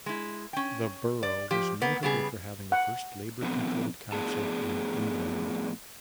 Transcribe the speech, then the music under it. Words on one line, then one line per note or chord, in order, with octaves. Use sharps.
The borough was notable for having the first Labour controlled council in England.
G#3 E4
C#4 G5
D5
F3 G4
A#3 B3
C#3 G3 B3 G#4
F#5
A#2 D3 F3 B3 C4
F2 A2 B3 D4 G#4 A5